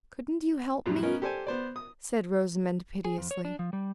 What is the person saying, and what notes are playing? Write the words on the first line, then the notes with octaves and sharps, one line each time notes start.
"Couldn't you help me?" said Rosamond piteously.
F2 A2 F#3 G3
B3 C#4 D#4 A#4
G4 A4 C5 D5 G#5
B3 C5 D5
D#6
G#4
F2
C#5
D4
F3
G3